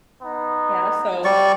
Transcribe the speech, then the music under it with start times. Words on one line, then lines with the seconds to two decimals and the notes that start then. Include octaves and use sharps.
yeah, so
0.21 B3 D#4
1.25 G3 D5 C#6